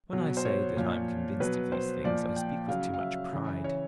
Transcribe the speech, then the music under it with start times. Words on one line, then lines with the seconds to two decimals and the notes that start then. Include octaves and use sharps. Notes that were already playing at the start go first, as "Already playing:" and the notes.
When I say that I am convinced of these things I speak with too much pride.
0.13 B2 F#3
0.37 C5
0.45 C#5
0.77 A#2 F3
1.40 B2 F#3 B4
1.72 C5
2.04 A#2 F3 D5
2.36 G5
2.68 C#3 F#3 F5
2.94 F5
3.00 E5
3.33 C#3 E3
3.64 C#5